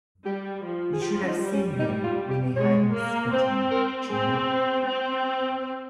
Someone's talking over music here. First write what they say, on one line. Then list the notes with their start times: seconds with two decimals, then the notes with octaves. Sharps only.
You should have seen them when they heard me spitting Chinook.
0.25 G3 G4
0.64 F3 G4
0.93 G#4
1.02 F3 G4
1.22 C#4
1.27 D#4
1.41 G3
1.53 C#4
1.79 D#4
2.04 F4
2.31 G4
2.56 G#3 C#5
2.95 A#3
3.32 C4 C5
3.71 A#4
4.09 C4 G#4
4.86 C4
5.64 C5